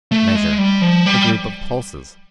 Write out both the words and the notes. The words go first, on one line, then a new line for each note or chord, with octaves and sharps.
Measure: A group of pulses.
A3
G#3
G3
F3
G3